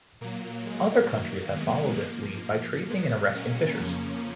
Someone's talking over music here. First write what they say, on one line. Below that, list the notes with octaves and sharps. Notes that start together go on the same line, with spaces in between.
Other countries have followed this lead by tracing and arresting phishers.
A#2 F#3 A#3
G#3
F#2 D#3 F#3 A#3
G#3 B3
G#2 F3 A#3
A#3
A#2 F#3 G#3 B3
A#3 C#4
F2 C#3 F3